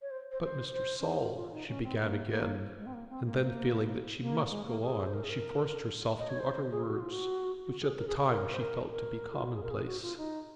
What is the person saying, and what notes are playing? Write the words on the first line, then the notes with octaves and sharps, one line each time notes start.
"But, Mr. Saul--" she began again, and then, feeling that she must go on, she forced herself to utter words which at the time she felt to be commonplace.
C#5
C5
C5
C5
C5
C#4
D#4
F4
F4
D#4
C#4
C4
A#3
A#3
G#3
C4
A#3
C4
A#3
G#3
A#3
A#3
G#3
A#3
G#4
C5
A#4
G#4
A#4
D#5
C#5
C5
G#4
F#4
F4
F#4
F#4
G#4
A#4
G#4
G#4
A#4
C5
A#4
A#4
F4
F#4
G#4
A#4
G#4
F#4
F4
D#4